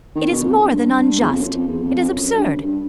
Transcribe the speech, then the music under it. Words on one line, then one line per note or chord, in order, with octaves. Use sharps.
It is more than unjust--it is absurd!
D#3
B2
F2
F#2
G2
E2
F2
F#2
F2
E2
F2
F2
F#2
F#2
G2
F#2
G2